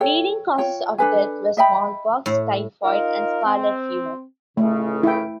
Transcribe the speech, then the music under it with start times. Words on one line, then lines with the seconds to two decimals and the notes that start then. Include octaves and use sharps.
Leading causes of death were smallpox, typhoid, and scarlet fever.
0.01 A4 C#5 G5
0.58 F4 C#5 G5
0.98 D4 A4 B4 G#5
1.57 D#5 E5 G5 B5
2.26 A2
2.83 D#4 F4 A#4
3.45 C4
4.57 C#2 A2 C#3 A3
5.03 E4 G5